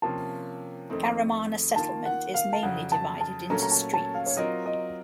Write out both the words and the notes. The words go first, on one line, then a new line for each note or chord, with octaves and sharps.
Karamana settlement is mainly divided into streets.
C3 F3 A#3 C#4 F4 A5
F2 D#3 A3 C4 D#4
D#3 A#3 F4 A5
F#5
F5
A5
F2 C#3 F#3 F#5
A5
A5
A#2 F#3 A3 C#4 A4 A#5
A#5
A5
A5
F5
C#5
F#3 C4 F4 A#4 D#5
D#5